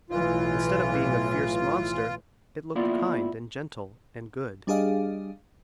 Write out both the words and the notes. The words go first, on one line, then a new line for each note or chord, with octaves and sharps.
Instead of being a fierce monster it looked kind and gentle and good.
B1 A2 E3 F4
A#3 B3 E4 F4 D5 E5
G3 D4 G4 G#4 D#5 F5